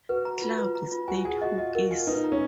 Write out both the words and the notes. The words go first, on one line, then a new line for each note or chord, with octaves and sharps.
Cloud State Huskies.
F#4 B4
A#5
F4
B4
A#5
F4
F#4 G#5
G#4 G#5
F#4 D#5
F4 D#5
F#4 A#4
F4 G#5
D#4 B4
A#5
C#4